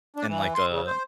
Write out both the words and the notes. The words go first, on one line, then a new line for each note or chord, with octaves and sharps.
in, like, a
D4
E3
C6
C#3
C5